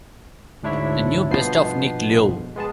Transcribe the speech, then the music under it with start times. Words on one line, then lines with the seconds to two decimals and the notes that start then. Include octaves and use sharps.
The New Best of Nick Lowe.
0.63 D2 G#2 D4 E4 C#5 E5
1.30 G2 B2 F3 B3 C5 C7
2.56 G#3 B3 G#4 A5